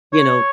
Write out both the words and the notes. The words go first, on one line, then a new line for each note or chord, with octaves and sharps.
you know,
C#5